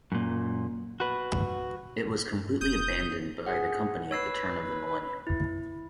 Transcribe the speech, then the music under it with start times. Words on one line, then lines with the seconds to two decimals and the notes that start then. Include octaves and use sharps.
It was completely abandoned by the company at the turn of the millennium.
0.12 F#2 A#2
1.00 F#4 B4
2.33 G2
2.61 F1 D#6 G6
3.46 G#4 F#5
4.11 B4 C#5 E6 C7
5.27 E4